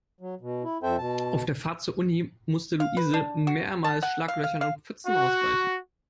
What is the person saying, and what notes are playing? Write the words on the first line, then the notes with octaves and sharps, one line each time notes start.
Auf der Fahrt zur Uni musste Luise mehrmals Schlaglöchern und Pfützen ausweichen.
F#3
B2
E4
F2 C4 A4 C5 E5 G5
B2 A5
F5
B4
D4
F#4
A5
F#5
F5
F5
F5
F#4